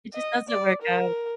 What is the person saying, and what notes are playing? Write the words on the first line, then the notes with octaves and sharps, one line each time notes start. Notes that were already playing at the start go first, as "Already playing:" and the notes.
it just doesn't work out.
D#5
D5
A#4